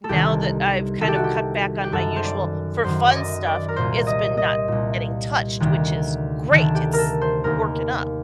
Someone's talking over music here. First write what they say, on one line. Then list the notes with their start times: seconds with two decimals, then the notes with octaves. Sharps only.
now that I've kind of cut back on my usual for fun stuff, it's been not getting touched, which is great, it's working up,
0.04 A4
0.09 C2 C3 D#3 G4
1.01 C2 C3 D#3 A4
1.08 G4
1.15 F#4
1.24 G4
1.84 G4
1.92 F#2 D#3 A4
2.16 C5
2.24 D5
2.84 F#2 D#3 C5
3.08 D5
3.15 D#5
3.46 D5
3.68 A#4
3.76 C2 A#2 C5
4.07 D#5
4.37 D#5
4.68 C2 A#2
5.60 D2 C3 D#3
6.51 D2 C3 D#3 A4
6.75 G4
6.93 A4 A#4
7.21 C5
7.44 D#2 D#3 A#4